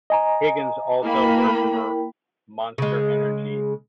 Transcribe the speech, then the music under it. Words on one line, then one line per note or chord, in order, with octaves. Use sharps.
Higgins also worked for Monster Energy.
D#5 G#5 A#5
A#3 E4 A#4 G5 B5
C#3 G#3